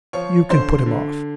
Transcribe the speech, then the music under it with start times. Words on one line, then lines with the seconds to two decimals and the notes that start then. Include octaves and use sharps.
'You can put him off.
0.13 F3 C#5 C#6
0.50 D3 C5 C6
0.86 D3